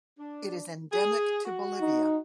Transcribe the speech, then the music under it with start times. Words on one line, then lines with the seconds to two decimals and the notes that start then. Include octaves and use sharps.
It is endemic to Bolivia.
0.19 D4
0.92 G#4
1.45 F#4
1.81 D#4